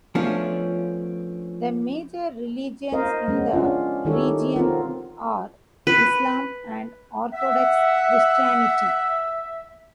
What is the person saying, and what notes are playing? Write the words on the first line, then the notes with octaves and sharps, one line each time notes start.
The major religions in the region are Islam and Orthodox Christianity.
F3 A3 B3 C#4 D4
A#4 C5 D#5 F5
G#3 B3 C#4
C#4 D4 F4
D#3 D#4 E4 G4 A4 C#5
B3 C4 F4 A#4
B4
E5 F#5